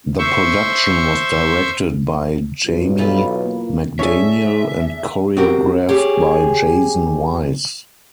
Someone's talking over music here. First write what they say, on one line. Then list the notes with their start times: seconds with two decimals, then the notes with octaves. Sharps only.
The production was directed by Jayme McDaniel, and choreographed by Jason Wise.
0.18 C5 E5 C#6
2.65 B1 F4
2.98 E2 F4 A4 B4
3.42 A#3
3.99 D4 G#4 A4 C#5 E5
5.37 C4 F#4 G4 A#4
5.89 G4 G#4 C#5